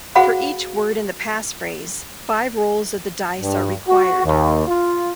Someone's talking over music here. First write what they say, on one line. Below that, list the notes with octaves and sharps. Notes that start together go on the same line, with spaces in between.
For each word in the passphrase, five rolls of the dice are required.
F#4 G#4 C5 F5 F#5 B5
G2
F#4
D#2
F4